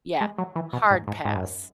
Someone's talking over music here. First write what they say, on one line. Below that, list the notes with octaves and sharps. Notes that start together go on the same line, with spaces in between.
Yeah, hard pass.
G#3
F#3
E3
B2
G#2
G#2
G#2
F#2